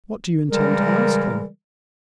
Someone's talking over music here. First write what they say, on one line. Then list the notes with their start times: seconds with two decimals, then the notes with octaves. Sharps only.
"What do you intend to ask him?"
0.52 C#3 E3 G3 G#3 G#4 A#4